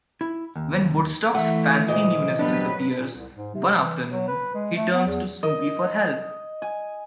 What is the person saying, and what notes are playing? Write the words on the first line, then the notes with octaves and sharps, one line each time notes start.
When Woodstock's fancy new nest disappears one afternoon, he turns to Snoopy for help.
E4
D#2
E3 A3 F#5
D2 A#2 D#5
F#3 G3 B3 D4 B4
A#2
C2
G#2
C3
E3
F#3
B4
G#3
A3
B3
E2
A#4 D#5
G#5